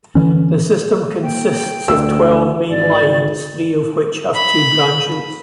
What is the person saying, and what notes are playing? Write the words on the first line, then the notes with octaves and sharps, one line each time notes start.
The system consists of twelve main lines, three of which have two branches.
D3 E3 C#4
A#3 G5
D2 E6
G#1 D5
B5